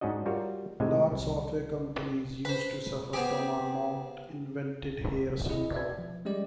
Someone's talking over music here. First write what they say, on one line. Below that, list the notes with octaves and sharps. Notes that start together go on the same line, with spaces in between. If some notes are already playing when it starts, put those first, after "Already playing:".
Large software companies used to suffer from a not invented here syndrome.
G#2 C#4 D4 F#4 D#5
G3 F4 F#4 A#4 C#5
A2 C3 G#3 D#5 G#5
C2
B4 C5 B5
B3 C4 G4 G#4
E4 G#4 D#5
D5 E5 G#6
F3
G3 G#3 C#4 G4 D5